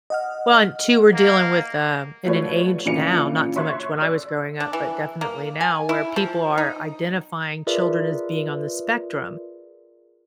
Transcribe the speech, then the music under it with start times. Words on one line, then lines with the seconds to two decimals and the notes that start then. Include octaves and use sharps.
Well, and two, we're dealing with uh in an age now, not so much when I was growing up, but definitely now where people are identifying children as being on the spectrum.
0.10 D#5 F#5 F6
1.14 A#3
2.25 F3 A3 F#4 B4 C#5 D5
2.85 A#2 C#3 E3 D4 C#7 F7
3.55 C#5 E5 C6 C#6 F#6 G#6
3.97 D5 E6
4.60 D4
4.73 E3
5.21 A#3
5.61 G#5
5.89 E4
6.16 F3
6.58 D#4
7.67 F4 G#4 A#4 B4 D5 E5